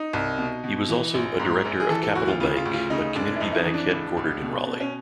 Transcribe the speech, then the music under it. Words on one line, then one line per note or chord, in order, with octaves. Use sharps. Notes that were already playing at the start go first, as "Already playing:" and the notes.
He was also a director of Capital Bank, a community bank headquartered in Raleigh.
Already playing: D#4
C2
B2
B2
E3
A#1
G#2
A#1
G#4
E3 A4
A4
D2 F#4
F4
C#3 F4
F4
D2
F4
C#3 D#4
F1 D4
E4
F2 D#4
E4
D#4
E3
D4
C#2 D4
C#2
B2
B2
C#4